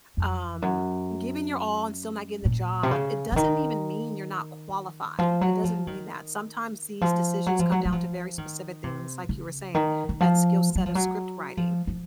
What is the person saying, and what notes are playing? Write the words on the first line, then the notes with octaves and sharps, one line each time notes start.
um, giving your all and still not getting the job, it doesn't even mean you're not qualified, it doesn't mean that. Sometimes these decisions come down to very specific things, like you were saying, that skill-set of script writing.
F2
F#2
A#2
C3
C#3
C#3
D#3
F3
F#3
F3
D#3
F3
F#3
F3
F#3
F#3
F3
D#3
C3
C#3
D#3
D#3
F3
F#3
F3
F#3
F3
F3